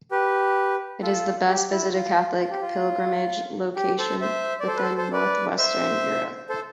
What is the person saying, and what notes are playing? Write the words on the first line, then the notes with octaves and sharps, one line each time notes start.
It is the best visited Catholic pilgrimage location within north-western Europe.
G4 B4
F4 A4
G4
E4
F4
F4
G4
F4
G4
A4 C5
C5 E5
D5
A4 C5
B4
A4 C5
A4 C5
B4 D5
C5 E5
A4 C5